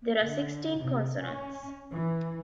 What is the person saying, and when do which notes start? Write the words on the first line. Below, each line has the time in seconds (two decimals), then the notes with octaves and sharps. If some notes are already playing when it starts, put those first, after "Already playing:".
There are sixteen consonants.
0.23 D3
0.79 C3
1.23 C#4
1.91 E3